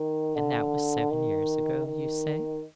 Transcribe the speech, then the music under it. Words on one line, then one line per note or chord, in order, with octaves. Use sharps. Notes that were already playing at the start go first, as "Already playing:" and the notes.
'And that was seven years ago, you say?'
Already playing: D#3
D3
D#3
D#3